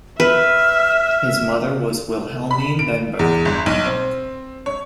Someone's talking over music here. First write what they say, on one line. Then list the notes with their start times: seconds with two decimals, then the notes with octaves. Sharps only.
His mother was Wilhelmine then Bergh.
0.20 B4 E5 F6
2.51 B5
2.79 D7
3.19 E2
3.45 G1
3.66 B1
3.86 C4
4.66 C#5